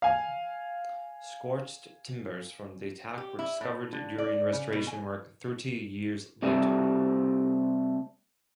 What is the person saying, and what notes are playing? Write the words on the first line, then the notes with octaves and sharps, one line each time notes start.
Scorched timbers from the attack were discovered during restoration work thirty years later.
F5 G#5
G4
E4
A2
D3
D5
C#3
B2
G#5
C3 G3 A3 C4